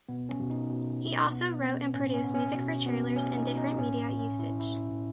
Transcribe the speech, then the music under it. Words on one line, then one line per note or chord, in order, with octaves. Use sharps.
He also wrote and produced music for trailers and different media usage.
B2 B3
C#4
B2
D#4
B2
B2
B3
B3 C#4
A2 C#4
C#4
B3
C#4
B2 C#4
B2 B3
A3 C#4
D#4
B2 C#4
D#4
A2 C#4
C#4
A2
C#4
A2 E4
E4